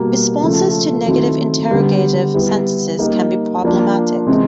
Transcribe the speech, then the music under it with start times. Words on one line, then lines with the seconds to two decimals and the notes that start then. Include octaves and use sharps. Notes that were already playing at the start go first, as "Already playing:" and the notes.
Responses to negative interrogative sentences can be problematic.
Already playing: B2 G3 A#3
0.42 C#3 F3 A3
1.06 D#3 F#3 A3 C4 E4
1.70 D3 G3 B3
2.34 G3 B3 E4 G4
2.99 G3 A#3 D#4 G4
3.63 F3 A#3 D4 F4
4.27 C3 E3 G#3 C4